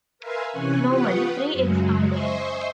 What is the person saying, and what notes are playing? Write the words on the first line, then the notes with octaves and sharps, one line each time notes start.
Normally, three eggs are laid.
A#4 B4 E5 F5 G#5 C6
C3 E3 C#4 G#5 C#6 F#6
F4 G4 B4 F#5 C#6 D#6
F#2 C#3 F#3 G#3
C5 D#5 E5 G#5 C6 C#6